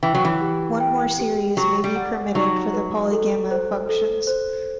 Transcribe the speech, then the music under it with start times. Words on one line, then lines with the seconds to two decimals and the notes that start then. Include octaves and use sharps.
One more series may be permitted for the polygamma functions.
0.03 E3 G5
0.15 F#3
0.25 E3
0.41 G4
0.80 G5
1.19 G4
1.57 F#3 G4
1.84 G3
1.96 F#5
2.34 F#3 D#4
2.73 B4
3.12 A4
3.51 C5
3.89 A4
4.27 C5